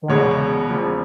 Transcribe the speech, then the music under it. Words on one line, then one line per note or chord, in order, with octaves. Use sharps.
Wind down.
E1 E2 B2 G#3 C#5
E1 E2 C#3 F3